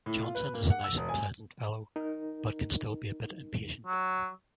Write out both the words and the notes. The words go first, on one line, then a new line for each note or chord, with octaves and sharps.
Johnson is a nice and pleasant fellow, but can still be a bit impatient.
A2
F4
B4
A#3
F#5
E6
E1
G#5
D#4 A#4
F#3